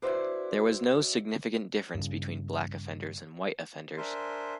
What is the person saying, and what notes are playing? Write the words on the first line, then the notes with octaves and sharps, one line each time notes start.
There was no significant difference between black offenders and white offenders.
D4 E4 F#4 B4 C5 D5
G2 C#3
D4 A#4 C5 E5 G#5 C6